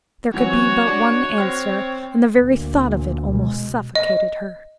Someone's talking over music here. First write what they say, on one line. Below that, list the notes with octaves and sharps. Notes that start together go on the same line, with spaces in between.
There could be but one answer, and the very thought of it almost suffocated her.
E3 F#3 C4 F#4 C#5
D4 A5 D6 G#6
C4 F6 F#6 A#6
D2 A#2
B2 G#3
D#5